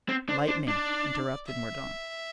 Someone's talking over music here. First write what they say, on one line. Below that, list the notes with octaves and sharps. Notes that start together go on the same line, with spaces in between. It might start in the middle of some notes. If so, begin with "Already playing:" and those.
"Lightning," interrupted Mordaunt.
C4
D4 C5
D4
D4 D5
E5